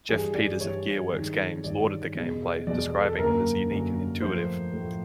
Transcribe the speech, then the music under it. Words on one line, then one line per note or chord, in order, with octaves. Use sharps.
Jeff Peters of GearWorks Games lauded the gameplay, describing it as unique and intuitive.
G2 E3 G3 G#4
D5
G2 E3 G3 C#5
G2 D#3 G#3
G2 D#3 G#3 D5
E2 B2 G#3
E2 B2 G#3 D5
A4
F#2 D3 F#3 A#3 A#4
F#2 D3 F#3 A#3
A2 F3 A3 C5
A2 F3 A3